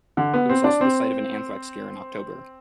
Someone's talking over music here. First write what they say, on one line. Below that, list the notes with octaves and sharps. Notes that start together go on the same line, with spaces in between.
It was also the site of an anthrax scare in October.
D3
B3
C4
D4
C4